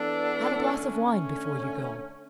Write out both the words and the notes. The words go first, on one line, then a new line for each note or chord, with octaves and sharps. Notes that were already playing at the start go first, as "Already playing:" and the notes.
"Have a glass of wine before you go."
Already playing: E3 B3 D4 A4
D3 A3 C#4